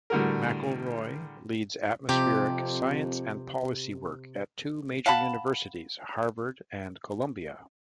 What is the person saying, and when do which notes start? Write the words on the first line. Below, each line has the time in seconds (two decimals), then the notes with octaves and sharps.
McElroy leads atmospheric science and policy work at two major universities, Harvard and Columbia.
0.10 A2 D3 G3 F#4 G#4 A#4
2.09 F2 C3 G4
5.06 F5 F#5 A5 B5